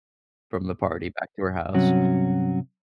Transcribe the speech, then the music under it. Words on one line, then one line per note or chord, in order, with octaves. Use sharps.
from the party back to her house,
G2 C3 F#3 C#4 F#4